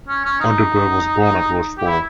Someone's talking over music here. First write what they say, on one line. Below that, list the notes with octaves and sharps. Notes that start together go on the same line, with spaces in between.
Audebert was born at Rochefort.
C#4
C#4
D#4
G4
E4